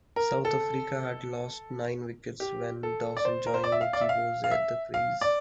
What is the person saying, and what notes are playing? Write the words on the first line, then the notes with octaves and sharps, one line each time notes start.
South Africa had lost nine wickets when Dawson joined Nicky Boje at the crease.
A#4
A4
G4
A4
D5
C5
A#4
C5
D5
E5
F5
D5
E5
F5
F5
E5
F5
D5